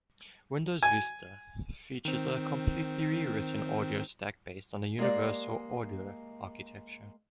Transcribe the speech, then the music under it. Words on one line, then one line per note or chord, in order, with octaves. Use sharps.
Windows Vista features a completely re-written audio stack based on the "Universal Audio Architecture".
G#5
D#3 C4
G#3 A#3 G4 D5